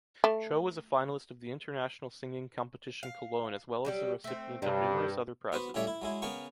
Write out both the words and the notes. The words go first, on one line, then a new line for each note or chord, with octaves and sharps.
Cho was a finalist of the International Singing Competition Cologne as well as the recipient of numerous other prizes.
A3
F5
F#3 G3 G4
A3 C4
G2 C3 F#3 G3
B3 F#4 B4 C5
A2 C#3 G3 C#5 E5 D6
E4
F#3 G#3 E4
C#3 B3 A#4 G5 C#6